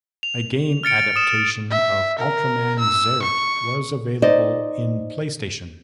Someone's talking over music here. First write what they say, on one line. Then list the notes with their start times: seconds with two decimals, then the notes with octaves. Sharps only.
A game adaption of Ultraman Zearth was available in PlayStation.
0.23 F7
0.83 F6 A6 C#7 D7
1.16 D#6 E7
1.71 E5
2.19 A#4
2.79 E6
3.22 C#6
4.22 D#4 C5 D5 D#5